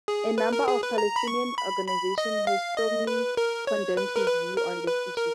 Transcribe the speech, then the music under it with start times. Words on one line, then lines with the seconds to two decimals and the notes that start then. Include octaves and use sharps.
A number of Palestinian organizations have strongly condemned his views on this issue.
0.08 G#4
0.38 B4
0.53 A#4
0.68 G#4
0.83 B4
0.98 A#5
1.16 B5
1.27 C#6
1.58 B5
1.87 B5
2.18 D#5
2.47 F5
2.77 D#5
3.07 B4
3.37 A#4
3.67 C#5
3.97 B4
4.16 A#4
4.27 B4
4.57 A#4
4.87 B4
5.17 A#4